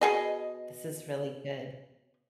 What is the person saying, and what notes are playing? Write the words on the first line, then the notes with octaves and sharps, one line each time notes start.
This is really good.
B2 G#4 D#5